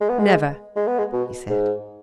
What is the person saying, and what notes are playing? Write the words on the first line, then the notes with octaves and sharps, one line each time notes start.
"Never!" he said.
G#3
B3
G#3
G#3
B3
G#3
B2
G#2